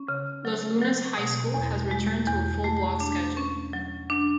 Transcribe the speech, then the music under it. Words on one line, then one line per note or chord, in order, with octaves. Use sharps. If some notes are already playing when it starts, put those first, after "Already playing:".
Los Lunas High School has returned to a full-block schedule.
Already playing: C#4
C#3
F#3
F#3
B2
E2
G#3
E2
A3
D4
C#4
F#3
D4